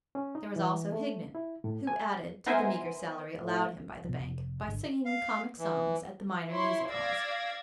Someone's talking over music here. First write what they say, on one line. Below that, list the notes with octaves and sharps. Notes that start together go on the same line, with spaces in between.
There was also Hignett, who added to the meagre salary allowed him by the bank by singing comic songs at the minor music halls.
C#4
D#4
E3
A3
E4
A2
G#5
B3 D#4 A#4 C5 E5 G#5
A2
B2 F3
F1
G#1 D3
F5
E3
E4 C#5 C6
D5 F5 E6 G#6 A#6